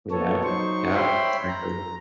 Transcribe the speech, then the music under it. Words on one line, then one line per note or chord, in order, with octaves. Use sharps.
Yeah, yeah, exactly.
F3 A#3 B3 A4 C#5
F#3 D#4 C5 C#6
C5 C#5 E5 G5 B5 C6
A#5